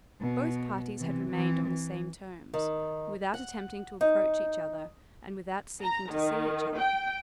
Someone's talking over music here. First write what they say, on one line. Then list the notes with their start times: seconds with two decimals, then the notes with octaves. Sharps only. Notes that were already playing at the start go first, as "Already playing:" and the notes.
Both parties had remained on the same terms, without attempting to approach each other, and without seeking to see each other.
0.20 B2
0.98 C3 E3
1.31 E3 C4
1.66 E3
2.54 D#3
3.34 F#5
4.01 D#4
5.82 A#5
6.12 D#3
6.77 G5